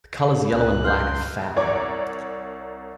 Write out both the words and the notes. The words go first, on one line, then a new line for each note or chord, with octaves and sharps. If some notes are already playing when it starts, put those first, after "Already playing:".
The colours yellow and black are foul.
C#2 F#6
C6 F6 G6
C2 C#5 D5 F#5 A#5 D6